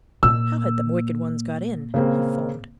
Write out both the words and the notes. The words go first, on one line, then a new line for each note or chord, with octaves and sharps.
"How had them wicked ones got in?" he foamed.
A#2 E6
C#3 A#3 C4